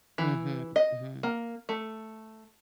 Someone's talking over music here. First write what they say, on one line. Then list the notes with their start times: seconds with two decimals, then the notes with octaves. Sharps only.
Mhm, mhm.
0.18 E3
0.76 D#5
1.23 A#3
1.69 A3